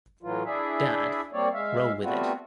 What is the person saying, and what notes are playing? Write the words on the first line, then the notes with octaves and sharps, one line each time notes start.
'Dad, roll with it.
A2 E3 F#3 F4
D4 E4 G#4 E5
G3 A#3 C4 C#5 D5
G#3 E5 F5
G3 A3 B3 C4 F4 F#4